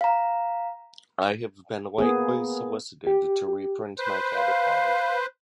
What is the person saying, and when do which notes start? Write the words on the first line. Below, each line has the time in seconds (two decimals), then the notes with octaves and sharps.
I have been lately solicited to reprint my catalogue.
0.01 F5 A#5
1.98 A#3 B3 G#4
3.07 G4
3.99 B4 C5
4.35 F5